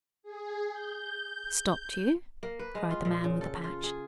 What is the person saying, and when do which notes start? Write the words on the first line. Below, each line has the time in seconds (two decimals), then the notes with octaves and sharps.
"Stopped you?" cried the man with the patch.
0.23 G#4
0.71 G6
2.43 A#3
2.59 B4
2.75 G#3
2.91 F4
3.05 A#2
3.24 C#3
3.41 A4
3.64 F4
3.83 G#4